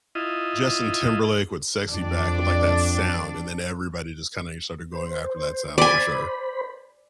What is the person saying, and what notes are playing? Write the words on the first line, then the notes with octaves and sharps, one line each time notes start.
Justin Timberlake with SexyBack, with, like, that sound, and then everybody just kinda started going after that sound for sure.
E4 F4 D#5
F2 D4 D5
C5
C5 D5 G#5 B5